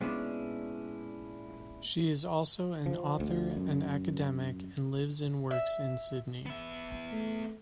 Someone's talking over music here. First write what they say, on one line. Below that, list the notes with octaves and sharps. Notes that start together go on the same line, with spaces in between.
She is also an author and academic and lives and works in Sydney.
A#2 G#3 B3 C#4 D4 E4
F3
D2
F#2
E5
B3 E5
A3